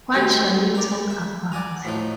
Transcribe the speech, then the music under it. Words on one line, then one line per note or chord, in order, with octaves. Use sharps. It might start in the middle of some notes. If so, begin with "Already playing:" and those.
What shall we talk about?
D#3 F#3 G3 A3 C4
A#4 D5
E5
D5 F#5 G#5 A#5
A2 F3 D#4